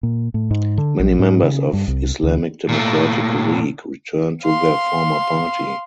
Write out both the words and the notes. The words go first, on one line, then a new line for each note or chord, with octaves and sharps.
Many members of Islamic Democratic League returned to their former party.
A#2
A2
G#2
D3
A#1
G#2
C#3
G2
C2
D2
A#2 A3
F5 C6